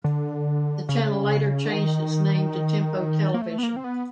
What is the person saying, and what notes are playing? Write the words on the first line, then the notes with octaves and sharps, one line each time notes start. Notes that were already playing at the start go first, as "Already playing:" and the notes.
The channel later changed its name to Tempo Television.
D3
C#3
D3
D#3
A#3
A3
B3
A#3
C4
B3